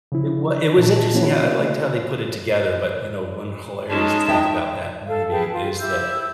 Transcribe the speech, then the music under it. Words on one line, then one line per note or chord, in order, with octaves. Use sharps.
It w it was interesting how I liked how they put it together, but, you know, one hilarious thing about that movie is that
C#3 F3 E4
A#2 E5 A5
E3 A#3 C#4 E4 F#4 C#5
A3
G#3 C#4 D#4 A5
E5 G5
A4 F5
G#4 B4 G5 A5
F4
E4 G4 E6 G6